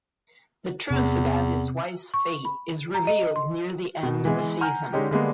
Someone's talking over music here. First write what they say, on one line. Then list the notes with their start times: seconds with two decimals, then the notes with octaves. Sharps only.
The truth about his wife's fate is revealed near the end of the season.
0.90 E2 C3
2.14 C#6
2.45 B5
2.94 A#5
3.07 D#5
3.36 C6
4.03 B2
4.25 E3 G#3 B3
4.60 F#5 G#5 A#5 F6 G6
4.93 D3 G#3 C#4 D#4 G4
5.11 D3 G3 G#3 A#3 B3 D4